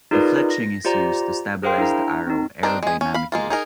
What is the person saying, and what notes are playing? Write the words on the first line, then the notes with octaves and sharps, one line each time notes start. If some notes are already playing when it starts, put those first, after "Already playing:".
The fletching is used to stabilize the arrow aerodynamically.
D#4 F4 G#4 A#4 B4 D5
A#6
F4 G4 C5 D5 A#5
G#4 A#4 C5 F5 G5 C6
D4 E4 A#5
C4 D#4
C4 D4 D#4 A#4
G#3 G#4
C#4
F5 B5
G#3 A#3 F4
D#4 G#4 A#4